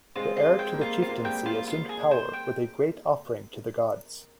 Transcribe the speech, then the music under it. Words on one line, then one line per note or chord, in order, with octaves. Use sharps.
The heir to the chieftaincy assumed power with a great offering to the gods.
G#3 C4 F4
F4
G#3 C4
G5
G3 A#3
F4
C4 F4
A#3
G#3
G3 A#3 G5
F4
F4
G#4
C5
G5